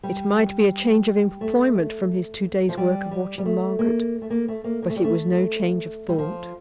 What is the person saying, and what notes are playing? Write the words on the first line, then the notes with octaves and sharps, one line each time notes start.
It might be a change of employment from his two days' work of watching Margaret, but it was no change of thought.
G3
A3
F3
G3
G3
G3
A3
A#3
A3
A#3
A3
A#3
A#3
A3
G3
A3
G3
F3